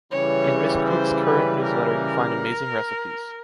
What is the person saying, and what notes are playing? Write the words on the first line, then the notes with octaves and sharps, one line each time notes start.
In Mrs. Kuchs current newsletter you find amazing recipes.
C#3 E3 G3 C#5
C5
B4
A#4